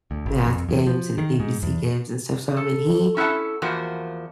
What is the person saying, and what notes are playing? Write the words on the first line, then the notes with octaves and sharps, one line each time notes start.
math games and ABC games and stuff. So I mean, he
D2
G#1
F2
E2
F3
D#3
G#2
E2
A4
C#4 E4 A4 F#5 A5
E2 F3 A#3 F#4